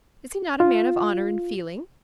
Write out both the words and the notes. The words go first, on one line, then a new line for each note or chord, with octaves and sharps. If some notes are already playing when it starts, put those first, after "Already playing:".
Is he not a man of honour and feeling?
F4